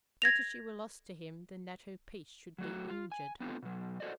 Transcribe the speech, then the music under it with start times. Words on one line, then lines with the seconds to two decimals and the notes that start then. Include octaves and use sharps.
Better she were lost to him than that her peace should be injured.
0.22 G#6 A#6 F7
2.58 F#3 A3 F#4
2.90 F4
3.12 G#5
3.40 B3 C4 D4 F4 A4
3.63 B2 F#3
4.00 F#4 A4 C5 D5 D#5